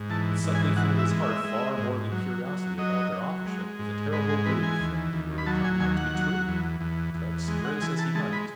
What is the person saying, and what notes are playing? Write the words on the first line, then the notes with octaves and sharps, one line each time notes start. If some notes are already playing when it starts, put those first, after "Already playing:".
What suddenly filled his heart far more than curiosity about their authorship was a terrible belief that they were turning out to be true, try to see Grace as he might.
Already playing: G#2
E3 A5
G#2
G#5
E3 F#5
E5
G#3
E5
G#3
G#2
F#3
F#3
F#3 D#5
F#3
G#3
G#2
G#3 B4
G#4
E3 B4
G#5
D#2
D#2
B5
F#3 A5
G#5
D#2 G#5
F#5
F#3
E2
E2
E2
G#3
F#5
E3 G#5
A5
G#3 A5
B5